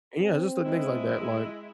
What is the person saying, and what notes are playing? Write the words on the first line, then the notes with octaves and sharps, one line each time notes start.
And yeah, just doing things like that, like
C4
G#3 E4